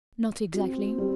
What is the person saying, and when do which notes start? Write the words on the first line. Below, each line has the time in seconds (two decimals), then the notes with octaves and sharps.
"Not exactly."
0.54 C4 F#4
0.98 G3